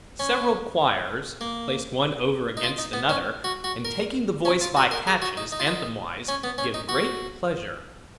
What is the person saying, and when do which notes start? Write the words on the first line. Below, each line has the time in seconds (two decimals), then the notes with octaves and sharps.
Several quires, placed one over against another, and taking the voice by catches, anthem-wise, give great pleasure.
0.19 C#4
1.41 A#3
2.57 D#4
2.63 F4
2.78 D#4
2.93 B3
3.09 C#4
3.44 F#4
3.64 F#4
3.85 A#4
4.45 C#4
4.61 F4
4.77 F#4
4.91 A#4
5.07 G#4
5.22 F#4
5.37 D#4
5.52 D#4
5.60 F4
5.67 D#4
6.28 C#4
6.44 B3
6.58 C#4
6.74 D#4
6.89 F#4